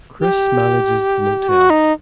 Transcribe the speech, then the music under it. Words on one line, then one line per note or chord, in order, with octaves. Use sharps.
Chris manages the motel.
G4
F#4
D#4